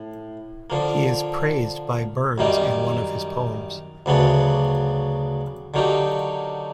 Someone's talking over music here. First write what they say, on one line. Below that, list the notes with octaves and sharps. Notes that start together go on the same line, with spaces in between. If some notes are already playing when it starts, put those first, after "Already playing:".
He is praised by Burns in one of his poems.
Already playing: A2
D3 F3 A#3
F#2 D#3 G3 A#3 D#4
D2 C#3 F#3 B3 D4
D3 F#3 A#3 D#4 G4